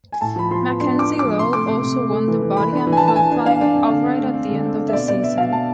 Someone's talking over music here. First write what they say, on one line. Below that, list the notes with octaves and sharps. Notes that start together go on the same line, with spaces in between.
Mackenzie-Low also won the Bodiam Hill Climb outright at the end of the season.
G#5
A2 A5
F3 B5
F3 C6
B3
D4 C6
D4 D6
D4
F3 D6
C3 C6
A3 D6
C3 C6
C3
C3
A3
E3
E3
E3 B5
D4 B5
E3
G#5
A5
E3
A5
E3 G#5
D4
D4 F5
D4
C4
D3
C4
A3
C4
D3
C4
C4
E5
B2 D5
B2 D5
B3 E5
B2 F5
B2 A5